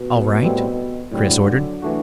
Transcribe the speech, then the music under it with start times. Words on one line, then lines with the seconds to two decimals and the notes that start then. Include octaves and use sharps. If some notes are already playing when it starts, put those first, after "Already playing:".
"All right," Chris ordered.
Already playing: B2
0.42 A2 G3 C4 E4
1.12 A2 D3 F#3 G3 C4 E4
1.82 E3 A3 D4 F#4